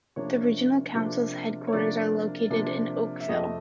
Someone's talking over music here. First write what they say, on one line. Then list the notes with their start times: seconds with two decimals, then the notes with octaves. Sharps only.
The regional council's headquarters are located in Oakville.
0.16 C3 F3 A#3 D4 C#5
0.95 C3 F3 A#3 D4
1.67 C#5
1.73 C3 F3 A#3 D4 D5
2.50 C3 F3 A#3 D4
3.20 E5
3.28 F2 C3 F3 A3 D#5